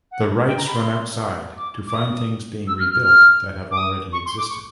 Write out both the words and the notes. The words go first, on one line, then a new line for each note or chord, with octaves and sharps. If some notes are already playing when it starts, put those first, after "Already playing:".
The Wrights run outside to find things being rebuilt that have already existed.
F#5
F#5
G5
A#5
B5
C6
D6
D6
D#6
E6
F6
F6
F6
D6
D#6
C#6
C6
D6
C#6